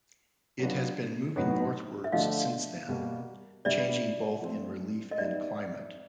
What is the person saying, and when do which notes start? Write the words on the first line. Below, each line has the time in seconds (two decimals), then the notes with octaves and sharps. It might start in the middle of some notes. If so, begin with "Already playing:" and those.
It has been moving northwards since then, changing both in relief and climate.
0.59 F#3 B3 D4 F4
1.36 A2 F#3 B3 D#4 F#4
2.04 E5
2.12 D3 F3 A3 D4 D#5 F5
2.88 B2 G3 A#3
3.65 B2 G3 B3 D4 D5 E5
4.42 F3 A3 C4
5.11 D#5
5.18 G3 B3 D#4 D5 E5